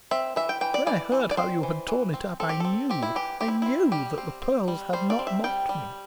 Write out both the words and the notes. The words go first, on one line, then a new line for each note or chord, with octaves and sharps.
When I heard how you had torn it up, I knew, I knew that the pearls had not mocked me.
C4 E5
E3 E5
G5
E3 G5
D5
E3 D5
E3
D5
C4 C5
E3
E3
C4
C4 A4
G4
C4 A4
C4 G4
E4
E3 G4
C4 G4
E4
C4 E4
G3 G4
C4
C4
G3
G3 C5
D5
C4
E5
G3 G5
G3